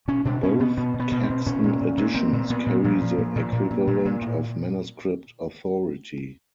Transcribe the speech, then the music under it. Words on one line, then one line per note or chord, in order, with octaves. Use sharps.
Both Caxton editions carry the equivalent of manuscript authority.
B2 C#4
B2 D4
B2 C#4
B2 B3
B2 B3
B2
B3
B2
C4
B2
A#2 C#4
A#2
A#2
A#2
A#2 C4
A#2
A#2 B3
A#2
A#2 F3
A#2
A#2
A#2
A#2
A#2
A#2
A#2
A2